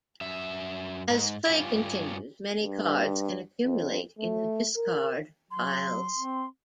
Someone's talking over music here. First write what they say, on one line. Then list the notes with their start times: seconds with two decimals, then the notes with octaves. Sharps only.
As play continues many cards can accumulate in the discard piles.
0.21 F#2 E5
1.10 G#2
1.46 G2 C#4 F4 G4
2.62 G2
3.64 F2
4.19 A3
4.77 A#4
5.51 F#3 C6
6.18 C4